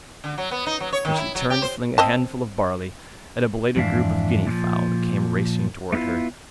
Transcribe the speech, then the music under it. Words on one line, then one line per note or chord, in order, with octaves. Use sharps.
And she turned to fling a handful of barley at a belated group of guinea-fowl that came racing toward her.
D3
F#3
B3
D#4
F#3
C#5
D#3
E4
F#3
G4
C5
C4 D#5 A5
F2 G#2 E3 D4 E5 F5
A#2 D#3 F3
A3 B3 C#4 E4 F4